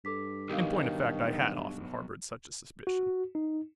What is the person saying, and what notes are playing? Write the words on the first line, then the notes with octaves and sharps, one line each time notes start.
In point of fact, I had often harbored such a suspicion.
G2 A4 D6 B6
B1 D#3 G4 F5
F#4
D#4